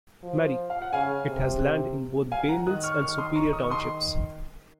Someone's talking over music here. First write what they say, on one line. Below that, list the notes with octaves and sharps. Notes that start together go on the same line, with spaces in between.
Marie; it has land in both Bay Mills and Superior townships.
F3
F5
F#5
C#3 F5 G#5
C3
F5 G#5
F#5 A#5
D#3 D#6 F#6
C#6 F6
D#3 C#6 F6
C6 D#6
A#5 C#6
D#6
C#6
C6 D#6